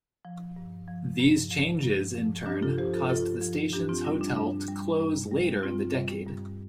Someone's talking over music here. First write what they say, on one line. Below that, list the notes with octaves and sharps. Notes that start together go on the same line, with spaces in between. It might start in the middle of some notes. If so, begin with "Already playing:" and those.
These changes in turn caused the station's hotel to close later in the decade.
F3
G2
F3
G2
F3
G2
F3
G2 D4 G4
F4 A4
F3 G4 C5
F4 A4
G2 F4 A4
F3
G2 D4 G4
C4 F4
G3 D4
D4
G2 D4
G3
G2
G3
G2 C4 F4
G3
G2